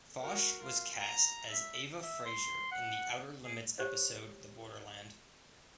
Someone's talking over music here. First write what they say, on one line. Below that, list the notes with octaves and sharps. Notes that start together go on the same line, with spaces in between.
Foch was cast as Eva Frazier in the "Outer Limits" episode "The Borderland".
F#4 A#4
F4
A#5
E5
E5
C6
F#5
G#4
G4 C5 C#5